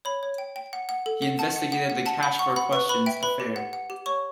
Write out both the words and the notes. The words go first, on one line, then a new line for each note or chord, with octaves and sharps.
He investigated the Cash-for-questions affair.
C#5 B5
C#5
G5
G5
F#5
F#5
A4
F#5
F#5 A5
F#5
F#5
F#5
F#5 A5
F#5 B5
F#5 C#6
F#5 B5
B4 C#6
B4 B5
E5 G5
B4 B5
G4
F#5
F#5
G4
C#5 C#6